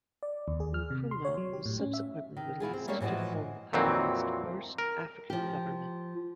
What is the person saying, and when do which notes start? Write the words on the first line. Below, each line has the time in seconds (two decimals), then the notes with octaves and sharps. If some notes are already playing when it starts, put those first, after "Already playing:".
Nkrumah was subsequently released to form the colony's first African government.
0.23 D5
0.48 D#2
0.60 G#4
0.74 F6
0.90 C3
1.11 C6
1.25 C#5
1.37 F#3
1.53 G4
1.66 A2
1.80 C#4
1.94 E5
2.37 D#3
2.60 B2 E4 F4 G#4
2.73 C4
2.87 G3 A#3 C#4 G4 C#5 E5
3.01 A2 E3 F3 F#4 D#5
3.73 F2 A#2 E3 F#3 C4
4.78 A#4
5.30 F3 G4